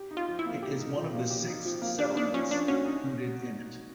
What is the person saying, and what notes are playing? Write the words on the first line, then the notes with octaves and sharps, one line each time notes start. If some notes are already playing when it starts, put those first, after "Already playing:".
It is one of the six settlements included in it.
Already playing: G4
D#4
F4
F3
E4
A#3
G4
D#4
F3
A#3
G4
D#4
F3
A#3
D4 G4
D4 D#4
F3 C#4
A#3 D4
C#4 F#4
D#4